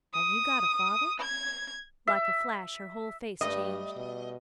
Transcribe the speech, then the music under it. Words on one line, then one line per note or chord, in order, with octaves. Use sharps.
"Have you got a father?" Like a flash, her whole face changed.
D#6
G#6
E5
G2 G3 A3 D#5
B2